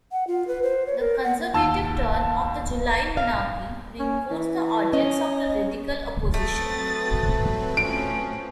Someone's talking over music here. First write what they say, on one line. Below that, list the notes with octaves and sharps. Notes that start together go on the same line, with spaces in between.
The conservative turn of the July Monarchy reinforced the audience of the radical opposition.
F#5
F4
B4
C5
C#5
A#4
F#5
D#2 A5 E6
F5
C#4
E3
C#4 D#5
F#3 A3 C4 B4 D#6 A6
A2 F3 C#4 D7